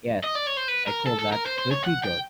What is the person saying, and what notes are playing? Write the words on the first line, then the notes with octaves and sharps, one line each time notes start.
Yes, I call that pretty good.
D#5
D5
C#5
C5
B4
A#4
A4
A4
A#4
C5
C5
C#5
F#5
G5